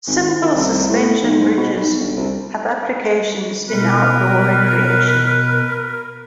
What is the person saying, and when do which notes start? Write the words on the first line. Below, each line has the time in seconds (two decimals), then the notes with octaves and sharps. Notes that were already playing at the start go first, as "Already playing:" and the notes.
Simple suspension bridges have applications in outdoor recreation.
0.07 G#1
0.42 D#3
0.55 C2
0.89 A2
1.22 B1
1.40 G#2
1.57 B2
1.75 B1
1.99 G1
2.16 C2
3.69 B2 A#4 B4